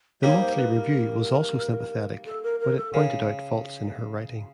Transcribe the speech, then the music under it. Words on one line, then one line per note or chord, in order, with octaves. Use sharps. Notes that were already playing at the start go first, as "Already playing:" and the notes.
The "Monthly Review" was also sympathetic, but it pointed out faults in her writing.
G3 A#3 D#4 G4 C#5
C5
B4
A#4
A4
A#4
A#4
A4
C#3 A#4